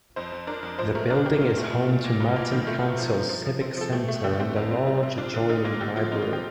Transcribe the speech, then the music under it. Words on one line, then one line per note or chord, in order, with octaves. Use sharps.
The building is home to Merton Council's Civic Centre and a large adjoining library.
F2 C5
F2
D4 A#4
F2
F3 C5
A3 A#4
D4 A#4
D4 G4
A#2 F4
A3
A#2
A#2
A#3 F4
G2
A#3 F4
D#3
A3 F4
C3
F3 F4
F3
F3
F3
C4
F3 A4
A3 G4
A3
D3 G4
C4 G4
F2
C4
G3
C4
D4 F4
D3
F4
D3 D#4
A#3 F4
D3 G4
F3 F4
C4 D#4
F4
G4